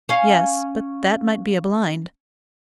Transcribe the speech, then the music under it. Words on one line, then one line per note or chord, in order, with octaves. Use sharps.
"Yes; but that might be a blind."
C#4 F5